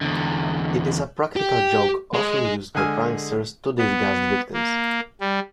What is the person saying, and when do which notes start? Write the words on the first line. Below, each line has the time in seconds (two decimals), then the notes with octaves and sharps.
It is a practical joke often used by pranksters to disgust victims.
0.01 E2 D3
1.36 G4
2.14 G#3
2.75 D3 G#3 G#4 G#5 E6 F6
3.78 B3
4.53 A#3
5.21 G3